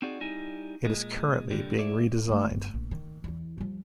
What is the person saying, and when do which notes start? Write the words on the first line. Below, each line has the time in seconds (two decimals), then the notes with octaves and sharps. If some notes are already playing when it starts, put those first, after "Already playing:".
It is currently being redesigned.
0.02 C4 D#4 F#4 G#4 D5
0.21 G3 D#4 E4 G#5
0.84 A#2 G#3
1.51 G2 A#2 D3 G3
1.78 A3 E4 D5
2.28 A3 E4
2.50 G1
2.74 A#1
2.91 D#3
3.24 E2 E4
3.58 F3 G3